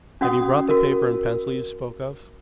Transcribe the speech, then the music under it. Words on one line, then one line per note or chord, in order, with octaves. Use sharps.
Have you brought the paper and pencil you spoke of?
C#4 F#4 F#5 D#6
F#4 A#4